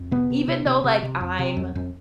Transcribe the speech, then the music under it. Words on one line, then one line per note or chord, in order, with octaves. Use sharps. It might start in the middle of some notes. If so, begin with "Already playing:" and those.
Even though, like, I'm
Already playing: F2
C3 B3
C3
C3
C3
C3
C3
F2
C3
F2
F2